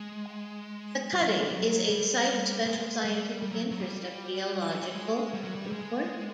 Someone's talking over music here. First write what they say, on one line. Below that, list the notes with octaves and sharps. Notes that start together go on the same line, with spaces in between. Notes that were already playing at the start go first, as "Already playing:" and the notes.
The cutting is a Site of Special Scientific Interest of geological importance.
Already playing: G#3
G3
F#3
G3
G3
F#3
G3
G#3
G3
G3
F#3
F#3
G3
F#3
G3
G#3
G3
F#3
G3
G#3